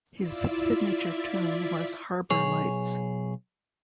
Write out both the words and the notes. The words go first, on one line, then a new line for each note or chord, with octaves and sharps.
His signature tune was "Harbor Lights".
E4 F4 D5 E5
B1 G#4 C#5